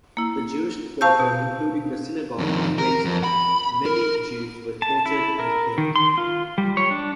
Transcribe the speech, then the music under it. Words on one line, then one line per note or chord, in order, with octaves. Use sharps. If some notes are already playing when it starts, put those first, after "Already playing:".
The Jewish quarter including the synagogue was razed, many Jews were tortured and killed.
A#3 E4
C5 F5 A5 C#6 E6 G6
B2
F2 D#3
A#4
F2
B5
A#4
A5
E4
A#4
D#3
C6
F4
G3
C#5
D4